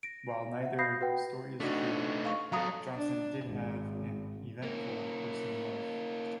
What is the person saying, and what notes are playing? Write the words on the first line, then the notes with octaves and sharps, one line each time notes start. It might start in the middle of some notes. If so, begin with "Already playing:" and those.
While neither story is true, Johnson did have an 'eventful' personal life.
A#6 D7
E5 F#5
F5 B5 D#6 G6 A#6 C7
F#4 B4 F#5 G5
A3 D4 D#4 F#4
F5 C#6
F#3 A4 F5 A#5 D#6
D4
G#1
A#3 C#4